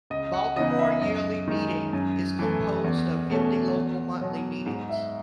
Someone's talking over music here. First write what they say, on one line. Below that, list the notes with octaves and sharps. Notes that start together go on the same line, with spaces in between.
Baltimore Yearly Meeting is composed of fifty local Monthly Meetings.
C#2 D#5
F#5
C#3 E3 B3 D#4 D#5
E5
F#2 D#5
D#3 G#3 D#4
F#2
E3 A3
E2
B2 A3 C#4
E2
B2 F#3
G#2
E5